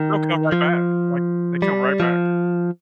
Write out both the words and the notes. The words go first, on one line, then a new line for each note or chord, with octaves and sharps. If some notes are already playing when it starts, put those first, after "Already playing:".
They'll come right back, like, they come right back.
Already playing: D#3
F3
G3
F3